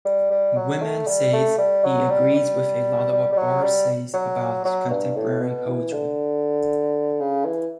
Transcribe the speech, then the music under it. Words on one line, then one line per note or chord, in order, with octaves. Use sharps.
Wiman says he agrees with a lot of what Barr says about contemporary poetry.
G3
G3
F#3
A3
G3
A3
G3
F#3
G3
G3
G3
G3
F#3
G3
F#3
F#3
G2
A2
B2
E3
D3
C#3
E3